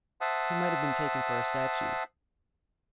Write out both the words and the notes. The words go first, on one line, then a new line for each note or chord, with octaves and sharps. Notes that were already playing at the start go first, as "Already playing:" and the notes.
He might have been taken for a statue.
C5 E5 F#5 A5 D#6